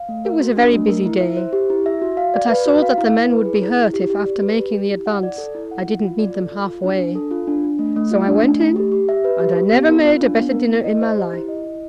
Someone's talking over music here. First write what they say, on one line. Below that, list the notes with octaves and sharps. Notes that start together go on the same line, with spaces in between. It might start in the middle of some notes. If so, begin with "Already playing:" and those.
It was a very busy day, but I saw that the men would be hurt if, after making the advance, I didn't meet them half-way, so I went in, and I never made a better dinner in my life.
Already playing: F5
A3
A#4
F#4
D4
A3
A#4
E4
E5
C5
G4
E4
E5
F#4
F5
D5
B4
F#4
F5
E4
E4
B4
G#4
E4
E4
G4
G4
D5
B4
G4
G4
E4
F#5
D5
A4
E4
F#5
F4
F4
D5
A4
F4
F4
D4
D4
A4
F4
D4
D4
A3
A3
F4
D4
A3
A3
G4
G4
E5
B4
G4
G4
B3
A#4
F4
D4
B3
A#4
E4
D#5
C5
G4
E4
D#5
E4